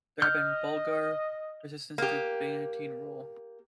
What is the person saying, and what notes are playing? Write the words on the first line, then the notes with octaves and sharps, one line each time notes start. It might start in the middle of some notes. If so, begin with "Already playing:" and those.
There had been Bulgar resistance to Byantine rule.
D#5 F6 G6
A#3 G4